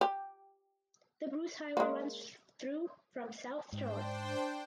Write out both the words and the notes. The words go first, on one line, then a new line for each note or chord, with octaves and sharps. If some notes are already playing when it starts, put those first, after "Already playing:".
The Bruce Highway runs through from south to north.
G4
G#3 A#3
G#2 D4 C5 G5